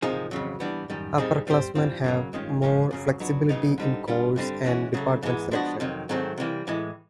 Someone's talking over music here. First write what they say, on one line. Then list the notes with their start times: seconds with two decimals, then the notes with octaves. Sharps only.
Upperclassmen have more flexibility in course and department selection.
0.02 C3 F3 A#3 D#4 G#4
0.31 F2 C#3 F#3
0.60 E3 G3 B3 D4
0.90 F#2 D#3 G3
1.18 A#2 G3 C4 D#4 G#4
1.47 G3 C4 D#4 G4 C5
1.75 G2 E3 G3 C4 F4
2.04 C#3 F#3 A#3
2.33 G2 D#3 G#3 C#4 F4
2.62 F3 G#3 C#4 F4 A#4
2.91 F#2 C#3 F#3
3.20 F#3 B3 D4
3.49 C#3 F#3 B3 D#4
3.78 D3 G3 C4 D#4
4.08 G3 B3 D4 F4
4.36 G2 D3 G3 C4
4.65 E3 G#3 C#4 F#4
4.94 C#3 F#3 A3
5.22 G#2 E3 G#3 B3
5.51 F3 G#3 B3 D4 F#4
5.80 F2 C3 D#3 F#3
6.09 G#2 D#3 F#3 A3 C4
6.38 C3 E3 G3 A#3
6.67 A2 E3 G#3